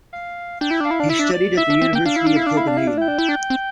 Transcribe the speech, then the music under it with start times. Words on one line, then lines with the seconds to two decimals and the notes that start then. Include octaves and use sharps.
He studied at the University of Copenhagen.
0.13 F5
0.61 D4 G5
0.71 E4
0.80 D4 F5
0.91 E4
1.00 D4
1.09 E4 E5
1.19 D4
1.33 D5
1.57 E4 E5
1.70 D4
1.82 C4
1.93 A#3 G5
2.06 D4 F5
2.16 E4
2.27 D4
2.36 E4
2.46 D4
2.57 E4
2.67 D4
2.77 E4
2.87 D4
2.97 E4 G5
3.08 D4
3.18 E4
3.29 D4
3.50 C4